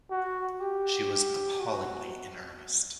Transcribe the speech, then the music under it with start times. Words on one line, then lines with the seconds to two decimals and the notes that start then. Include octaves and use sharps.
She was appallingly in earnest.
0.11 F#4
0.60 G4
1.60 F#4